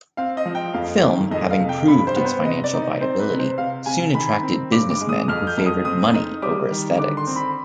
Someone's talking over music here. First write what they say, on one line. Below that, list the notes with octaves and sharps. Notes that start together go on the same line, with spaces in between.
Film, having proved its financial viability, soon attracted businessmen who favoured money over aesthetics.
C4 F5
D#5
F3
G5
F2 F5
D#3
F2 D#5
F5
C3
G5
G2 B5
C5
B3
C5
C3 D#5
D5
D#4
D#5
C4 C5
B4
C3
C5
C3 F5
C3 G#5
D#3 B5
C4
G2 D6
D6
G#3
D#6
F2 F6
G6
F2
D#6
C4 D#6
D#4 D#6
G3 D6
D#3
D3 D6
C6
C4
B5